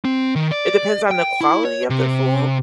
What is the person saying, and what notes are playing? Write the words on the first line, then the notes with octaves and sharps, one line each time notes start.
It depends on the quality of the food.
C4
D#3
D5
G5
E4
C#5
C3